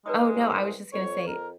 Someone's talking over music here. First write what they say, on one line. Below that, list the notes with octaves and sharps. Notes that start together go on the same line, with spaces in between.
Oh, no. I was just gonna say
G#3 D#4 B4 D5 D#6
C2
F2 C#5
A#4